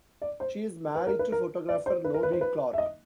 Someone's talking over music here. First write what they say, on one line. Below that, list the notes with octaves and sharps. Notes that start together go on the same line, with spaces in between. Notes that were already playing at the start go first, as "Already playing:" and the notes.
She is married to photographer Nobby Clark.
D5
C5
B4
A#4
B4
A#4
D5
C5
B4
A#4
B4
C5
B4
E5
D#5